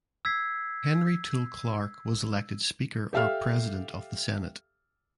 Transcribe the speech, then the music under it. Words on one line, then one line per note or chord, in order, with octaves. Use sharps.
Henry Toole Clark was elected Speaker or President of the Senate.
E6 G#6 B6 C7
G4 A4 E5 F5 G5 F6